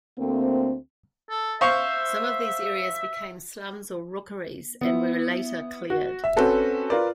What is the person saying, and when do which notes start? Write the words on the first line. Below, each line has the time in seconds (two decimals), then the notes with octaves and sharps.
Some of these areas became slums or 'rookeries', and were later cleared.
0.18 D2 A3 A#3 C4
1.30 A4
1.61 C5 E5 F5 C#6
4.81 B3 E4
5.90 F#4
6.24 E5
6.36 C4 C#4 F#4 A4 B4
6.90 F4 A#4 B4 D5